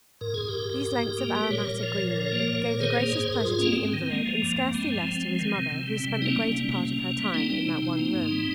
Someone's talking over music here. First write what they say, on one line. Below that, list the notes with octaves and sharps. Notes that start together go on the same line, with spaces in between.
These lengths of aromatic greenery gave the greatest pleasure to the invalid, and scarcely less to his mother, who spent the greater part of her time in that one room.
G#2 A#4
G#2 G#4
G4 A#4
G#2
G#2
G#2
G#2
A#3
G3
A#2 A#4 C#5
A#2
F3
A#2
F3
A#3
A#2
A#2
D#3 G#4 C5
A#3
G#2 C#5
C5
G#2 A#4
G#2 F4 G#4
A#3 C#4
C4
G#2
D#3 C4
G#3 A#3
F3
G2
G2
G#3 C4
F3
F3
G#3
D#3
C3
C3
G3
C3 C4
G3 A#3 C#4 D#4
G3
A#3 C#4
C3
C3 A#3 C#4
C3
C3
G3
A#3 C4 D#4
G3
C3
C3
A#3
G#2
G3